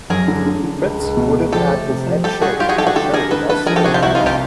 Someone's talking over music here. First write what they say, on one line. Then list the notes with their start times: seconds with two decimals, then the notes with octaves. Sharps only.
Fritz would have had his head shaved had Kerry lost the match.
0.10 F#2 G#4 A#4
0.28 D3
0.46 D3
0.64 D3
0.81 C#2
1.00 C#2
1.17 B2
1.36 C#2
1.52 F3 G4 A4
1.71 A3
1.89 C3
2.06 F3
2.24 G3 G4 A4
2.42 G3 F#4 G#4
2.59 G3 F4 G4
2.69 F#4 G#4
2.78 G3 G4 A4
2.87 F#4 G#4
2.96 D3 G4 A4
3.13 D3 G#4 A#4
3.31 D3 A4 B4
3.49 D3 A4 B4
3.66 F3 G#4 A#4
3.76 G4 A4
3.84 C3 F#4 G#4
3.94 F4 G4
4.03 C2 E4 F#4
4.15 D#4 F4
4.20 C2
4.26 F4 G4